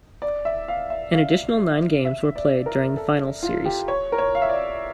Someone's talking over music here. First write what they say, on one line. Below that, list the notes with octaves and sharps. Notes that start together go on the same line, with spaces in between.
An additional nine games were played during the finals series.
D5
E5
F5
E5
F5
E5
D5
A#4
A4
F4
G4
C#5
A#4
C#5
F5
E5
D5